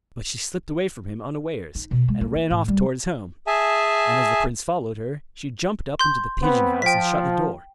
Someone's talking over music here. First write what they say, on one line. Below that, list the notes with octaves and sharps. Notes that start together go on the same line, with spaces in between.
But she slipped away from him, unawares, and ran off towards home; and as the prince followed her, she jumped up into the pigeon-house and shut the door.
D#4
B2
G#3
A#3
A#3
A2
G3
G#4 E5 G#5 A5
C6 G6
B3 C4 B4
F3 G5 B6